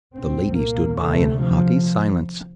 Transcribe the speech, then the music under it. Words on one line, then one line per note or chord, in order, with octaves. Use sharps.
The lady stood by in haughty silence.
C2 A#2 C4
A#3
D2 C3 A3
F3